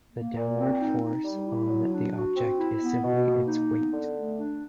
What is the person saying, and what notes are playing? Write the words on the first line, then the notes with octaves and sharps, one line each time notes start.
The downward force on the object is simply its weight.
A#3
A#2
C4
D#4
D#4
G3
E4
F#3
D4
F#4
C4
E4
B3
B2
A#3
D#4
B3
D3
A3
D4